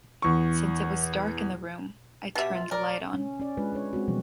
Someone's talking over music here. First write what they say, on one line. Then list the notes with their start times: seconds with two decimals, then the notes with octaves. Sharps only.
Since it was dark in the room, I turned the light on.
0.22 E2 C#6
2.35 B2 G4 E5
2.55 F4
2.71 A#4 D5
3.14 C#4
3.40 C#4 D5
3.57 G#3 D4 F4 B4
3.73 C#4 D4 C#5
3.93 G#3 C4 F#4
4.08 B2 E3 F3 G3 B3